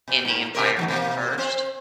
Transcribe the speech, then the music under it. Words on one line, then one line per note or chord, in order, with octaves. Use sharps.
in the environment first
B2
G#2
B2 G4 A#4
D#3 F3 F#3
B2 A#3
C4 C5